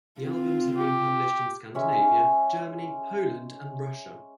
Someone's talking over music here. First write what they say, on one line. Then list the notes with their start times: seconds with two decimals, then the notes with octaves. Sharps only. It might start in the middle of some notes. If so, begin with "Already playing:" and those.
The albums have been published in Scandinavia, Germany, Poland and Russia.
0.21 C4 F4
0.77 G4
1.74 G#3 C#4 E5 G#5